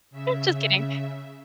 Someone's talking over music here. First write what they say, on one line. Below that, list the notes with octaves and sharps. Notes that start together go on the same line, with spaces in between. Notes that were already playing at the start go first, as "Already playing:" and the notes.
Just kidding.
C#3 E5